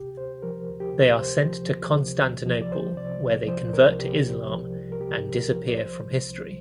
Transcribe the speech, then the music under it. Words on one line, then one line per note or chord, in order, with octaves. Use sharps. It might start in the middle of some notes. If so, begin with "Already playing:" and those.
They are sent to Constantinople where they convert to Islam and disappear from history.
Already playing: D2 C3 G4
D2 C5
F3 A#4
D2
G4
C3
D2 C5
F3
D2
C3
D2
F3
D5
C2 C5
C3 D5
C2
F3 C5
C2 A#4
C3 G4
C2
F3
C2
A#4
C3 G4
C2
A#4
F3
D5
C2 C5
C3
C2